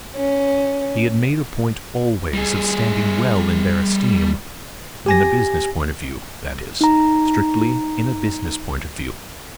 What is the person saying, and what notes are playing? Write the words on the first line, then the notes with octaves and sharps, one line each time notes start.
He had made a point always of standing well in their esteem: in a business point of view, that is; strictly in a business point of view.
C#4
G3 G#4
G4 G#5 A#6
D#4 A#5